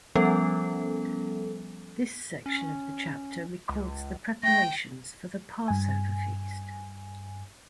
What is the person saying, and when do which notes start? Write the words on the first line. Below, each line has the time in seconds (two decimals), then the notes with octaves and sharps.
This section of the chapter records the preparations for the Passover feast.
0.16 F3 G3 B3 C#4 A4
2.46 C#4
3.69 C#2
4.43 A3 G5 A#6
5.68 G2 G#5